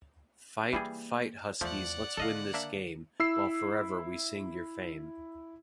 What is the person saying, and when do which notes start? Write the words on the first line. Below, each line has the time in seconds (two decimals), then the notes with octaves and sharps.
Fight, fight Huskies let's win this game, while forever we sing your fame.
0.73 E3 G3 A#3 G#4
1.61 E2 F3 A3 D5 F#5
2.17 D3 D#3 A4 D#5 F5
2.54 A#3 D4 E5
3.20 E4 E6 C7